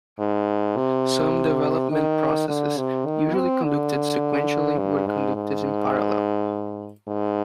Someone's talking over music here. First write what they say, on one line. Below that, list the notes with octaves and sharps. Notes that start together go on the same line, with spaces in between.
Some development processes usually conducted sequentially were conducted in parallel.
G#2
C3
D#3
D3
C3
D#3
C4
D3
G2
G#2
G#2
G#2